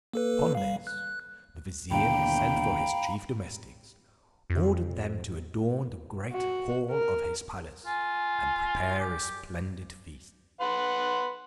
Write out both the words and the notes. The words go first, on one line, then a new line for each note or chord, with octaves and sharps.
Upon this the vizier sent for his chief domestics, ordered them to adorn the great hall of his palace, and prepare a splendid feast.
A#3 A4 B4
G3 F5
F#6
D#2 B2 D3 F5 G5 A#5 B5
F2
F#4
A#4
F4 G#5
G4
B4 F#5 C6